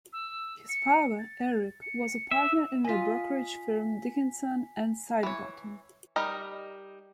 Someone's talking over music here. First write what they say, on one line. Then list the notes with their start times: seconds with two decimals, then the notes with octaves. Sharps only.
His father, Eric, was a partner in the brokerage firm Dickinson and Sidebottom.
0.13 E6
0.69 C#7
1.19 A6
1.82 C#7
2.31 E5 E6
2.85 F4 D#5 G#5 B6
5.23 E3 C#5
6.16 G3 D#4 A#4 D#5